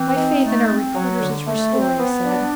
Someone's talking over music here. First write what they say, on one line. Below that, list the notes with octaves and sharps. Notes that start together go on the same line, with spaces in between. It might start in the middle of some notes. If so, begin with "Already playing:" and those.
"My faith in our recruiters is restored," he said.
Already playing: E3 C4
D#4
A3
C4
F#3
D3
A3
C4
B3
D4